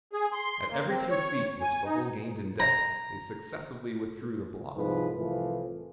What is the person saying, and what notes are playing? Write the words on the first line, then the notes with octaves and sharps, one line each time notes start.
At every two feet which the hole gained in depth they successively withdrew the blocks.
G#4
C6
A#3
C4
C#5
G#5
D#4
A#5
C2 G#2 F3 B4
C2 A2 E3 F3